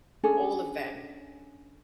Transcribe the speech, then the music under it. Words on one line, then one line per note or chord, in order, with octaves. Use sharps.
all of them
C#4 D4 G#4 A4